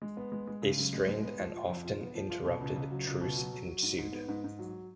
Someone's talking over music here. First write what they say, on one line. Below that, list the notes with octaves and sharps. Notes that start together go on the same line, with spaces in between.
A strained and often interrupted truce ensued.
G#3
B3
G#3
G#3
C#3
F#2
G#3
G#3
B3
F3
F4
F2
F4
B3
F3
F4
B2
C#2
C#2
F#3
C#2
B2
F#3
F#3
F#3
G#2
G#2
B3
G#2
G#2
F#3